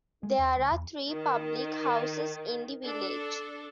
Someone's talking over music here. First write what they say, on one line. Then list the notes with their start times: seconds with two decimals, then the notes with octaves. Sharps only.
There are three public houses in the village.
0.23 G#3
0.39 D#2
0.57 C#2
0.71 E2
1.09 D#3
2.84 D4 A4